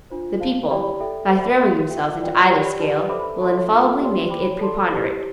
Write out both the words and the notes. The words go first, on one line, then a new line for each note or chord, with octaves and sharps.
The people, by throwing themselves into either scale, will infallibly make it preponderate.
D4 F4 C5
C5 F5 A5
E4 G4 D5 G5 B5
A4 E5 G5
C5 E5 B5
G4 B4 F5 C6
F4 A4 E5 G5
F4 B4 D5 G5
G4 D5 G5 B5
D4 G4 B4 D5 A5
A4 C5 E5 B5 D6
A4 E5 A5 C6
D4 F4 A4 E5
G4 D5 G5 C6
C5 G5 B5 D6
A4 D5 A5 C6
E4 G4 C5